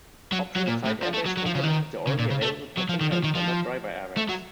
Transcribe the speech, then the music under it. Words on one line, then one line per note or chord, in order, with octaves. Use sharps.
Optional side airbags complemented the already available passenger and standard driver airbags.
F#3
F#3
A#2
A2
F3
A3
F#3
F#3
F3
C#3
D#3
C#3
A#2
C#3
A3
F#3
F3
D#3
F3
D#3
F3
A3
F#3